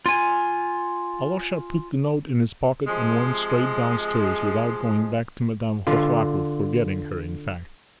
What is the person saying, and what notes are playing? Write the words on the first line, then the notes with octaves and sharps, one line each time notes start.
Alyosha put the note in his pocket and went straight downstairs, without going back to Madame Hohlakov; forgetting her, in fact.
F4 G#5
C3 F3 G#3
D3 F4